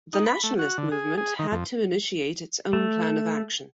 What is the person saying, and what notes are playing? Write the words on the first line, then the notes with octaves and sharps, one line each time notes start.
The nationalist movement had to initiate its own plan of action.
D#4
B5
A3
F#4
D3
G#4
G#4
D#3
F2
A3